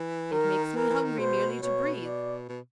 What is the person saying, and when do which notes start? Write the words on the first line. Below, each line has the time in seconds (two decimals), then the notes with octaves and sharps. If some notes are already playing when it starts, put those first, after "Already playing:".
It makes me hungry merely to breathe.
Already playing: E3
0.32 D#3 A#4
0.76 E3 A#4
0.90 E3
1.04 D#3
1.19 B2 C5
1.62 B2 C#5
2.05 D5
2.49 B2